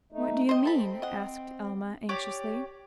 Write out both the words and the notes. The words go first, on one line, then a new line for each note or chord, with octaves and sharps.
"What do you mean?" asked Alma anxiously.
A3 D#4
C4 C5 D#5
A4 B5
D#5 F#5
G4 C#5 D5 D6